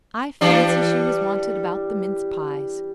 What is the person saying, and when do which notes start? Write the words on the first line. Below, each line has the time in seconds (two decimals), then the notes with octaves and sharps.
I fancy she was wanted about the mince-pies.
0.41 E3 G3 D4